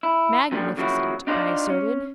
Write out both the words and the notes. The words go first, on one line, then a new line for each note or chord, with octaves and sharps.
"Magnificent!" I asserted.
E4
F#2 A#2 D3 F3 G3
C#3 F3 F#3 A#3 E4 F#4
D4 D#4 F4 G#4 C5 D5
C#4